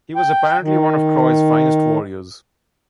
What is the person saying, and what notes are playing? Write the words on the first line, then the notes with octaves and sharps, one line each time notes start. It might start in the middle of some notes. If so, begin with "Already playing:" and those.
He was apparently one of Troy's finest warriors.
G5
D#3